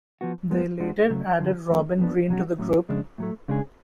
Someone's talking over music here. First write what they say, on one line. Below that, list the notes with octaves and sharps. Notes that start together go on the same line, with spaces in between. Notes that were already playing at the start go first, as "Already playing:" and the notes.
They later added Robin Green to the group.
F3 B3 F#4
F#2 F3 G#3 B3
F2 F3 G#3 D4 F#4
C#3 F#3 A3
F#2 D3 F3
F2 F3 A3 C#4
F2 F3 B3 D4
B2 F#3 C#4 F#4
A2 F#3 C#4
F2 C#3 G#3 D4
A2 F#3 A3
C#3 G#3 D4 G#4